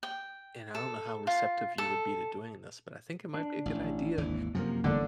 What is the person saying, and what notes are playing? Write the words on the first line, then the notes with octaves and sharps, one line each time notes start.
and I don't know how receptive you would be to doing this, but I think it might be a good idea
G5
A4
F4
A4
D4
A1
G#1 D#2 E3
F#2 C3 F3 A#3
G1 E2 D3 D4